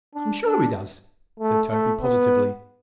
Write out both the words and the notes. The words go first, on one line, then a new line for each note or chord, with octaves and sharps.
"I'm sure he does," said Toby, positively.
D4
D4
A3
A3
B3